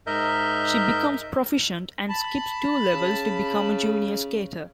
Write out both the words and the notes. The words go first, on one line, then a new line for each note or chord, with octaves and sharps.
She becomes proficient and skips two levels to become a junior skater.
G#2 A#4 D#5 E5 G6
A5 B5
C#3